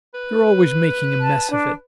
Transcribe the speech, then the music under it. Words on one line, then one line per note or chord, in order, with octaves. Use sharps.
You're always making a mess of it.
B4
A5
D4